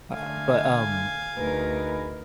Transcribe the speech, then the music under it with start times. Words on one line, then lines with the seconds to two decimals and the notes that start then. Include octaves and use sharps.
Uh, but, um,
0.13 D3 A3 F5 G#5
1.37 D2 D#4 G#4 A#4 B4